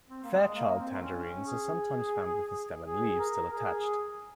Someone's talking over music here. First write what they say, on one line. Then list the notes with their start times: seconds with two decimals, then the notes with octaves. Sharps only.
Fairchild tangerines are sometimes found with the stem and leaves still attached.
0.09 C4
0.23 A#3
0.31 G#3
0.54 A#3
0.78 C4
1.01 C#4
1.23 C#4
1.46 G#4
2.84 G#4
3.19 A#4
3.53 G#4
3.75 G#4